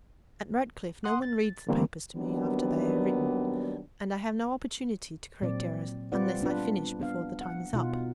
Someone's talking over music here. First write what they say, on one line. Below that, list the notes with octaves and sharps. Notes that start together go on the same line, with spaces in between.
At Radcliffe no one reads the papers to me after they are written, and I have no opportunity to correct errors unless I finish before the time is up.
F#5 C6 D#6 F#6
A6
D3 E3 G3 A3 A#3 C4
D#3 F#3 G3 A#3 B3 D4
A#2 F#3 C4 D5
G3 C4 F4 B4 D5 F#5
B3 D4 F4 B4
B3 D4 F5
F#5
B2 D#4 F4 F#5